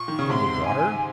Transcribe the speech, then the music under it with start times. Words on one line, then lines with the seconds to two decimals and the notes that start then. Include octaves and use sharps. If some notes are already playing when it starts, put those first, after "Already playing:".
"In the water?"
Already playing: A#2 C#6
0.08 D#3
0.19 C#3
0.29 G#2 C3 C6
0.66 G#5